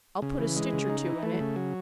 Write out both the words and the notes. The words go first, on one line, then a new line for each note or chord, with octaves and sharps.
I'll put a stitch or two in it.
C#3
E3
G#3
C#3
D#4
E3
A3
C#3
F#3